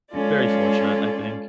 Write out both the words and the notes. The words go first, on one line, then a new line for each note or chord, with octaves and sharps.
very fortunate, I think.
G#3 C#4 F4 A4 D5